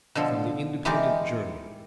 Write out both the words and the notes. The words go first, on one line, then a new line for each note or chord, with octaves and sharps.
From The Independent Journal.
B2 D3 F3 A4
E3 G#3 D#4 G4 A#4 D5